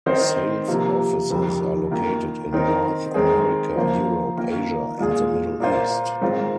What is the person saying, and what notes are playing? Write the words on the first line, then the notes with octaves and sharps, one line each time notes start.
Sales offices are located in North America, Europe, Asia and the Middle East.
D#3 C4 D#4 C5
C3 F3 A#3 F4
F2 C3 D#3
D#3 A#3 F4
D#3 C4 D#4 A#4
D#3 G#3 C4 G#4
F3 A#3 F4 C5
D#3 A#3 F4 A#4
A#2 G#3 F4 G#4
A#2 A#3 F4 C5
G#2 D#3 C4 F4